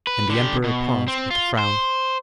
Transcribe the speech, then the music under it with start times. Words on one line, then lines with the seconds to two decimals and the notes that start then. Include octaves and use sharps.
And the Emperor paused, with a frown.
0.07 B4
0.30 D3 G4
0.64 B2
1.08 C4
1.31 F4
1.59 C5